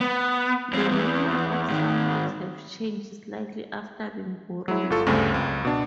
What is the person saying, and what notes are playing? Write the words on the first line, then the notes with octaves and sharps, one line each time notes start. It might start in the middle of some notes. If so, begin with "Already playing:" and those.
The meaning of some words have changed slightly after being borrowed.
B3
F#2 C4
E2 B3
G#2 D#3
F#3 E4
G1 F4 A4 C#6
D2 G2 C#3 A3 C4
C#2 F#2
B2 D4